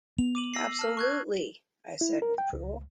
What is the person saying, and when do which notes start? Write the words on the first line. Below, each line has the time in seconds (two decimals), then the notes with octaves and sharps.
"Absolutely," I said with approval.
0.18 B3 F7
0.35 D6 D#7 F#7
0.54 E6 A#6 C7
0.79 A5 F6
0.97 C#6 F#6 G#6
2.01 E4
2.22 A#4
2.38 G5
2.53 C#2